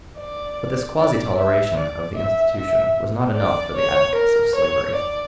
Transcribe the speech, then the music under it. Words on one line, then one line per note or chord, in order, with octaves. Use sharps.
But this quasi-toleration of the institution was not enough for the advocates of slavery.
D5
D5
E5
D5
E5
E5
D5
C#5
A#4
C#5
D5